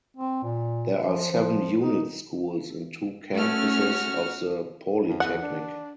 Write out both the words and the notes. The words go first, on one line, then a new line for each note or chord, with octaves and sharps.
There are seven unit schools in two campuses of the polytechnic.
C4
A#2
F3
F3
D#4
A3 C#4 F#4 F6
F2
E2 F#5
D4